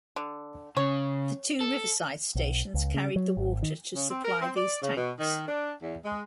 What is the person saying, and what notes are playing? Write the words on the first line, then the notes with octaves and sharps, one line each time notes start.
The two riverside stations carried the water to supply these tanks.
D3
C#3 C#5
A4
B1
C#2
C#3
F#3
G#1
D#3
C#3
C4
A#4
C4
D5
C#3
B2
D#3
D4
E2
G#3